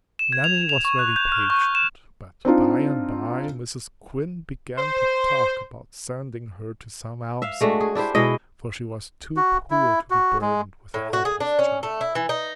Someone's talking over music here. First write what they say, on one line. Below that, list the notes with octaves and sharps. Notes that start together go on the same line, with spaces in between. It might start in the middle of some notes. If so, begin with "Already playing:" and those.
Nanny was very patient; but, by and by, Mrs. Quinn began to talk about sending her to some almshouse, for she was too poor to be burdened with a helpless child.
E7
G#6
F7
F7
C#6
F#6
G6
F6
C#6
G6
E7
C4 D4 D#4 F4
C5
E5 F5
G#3 A3 D4 F#4
G#4
D4 E4 G4 C5
B2 G#3 E4 D#5
F#4
E4
F#4
G#3
A2
F#4
G#4
D4
C#4
A3
E4
E3
D#4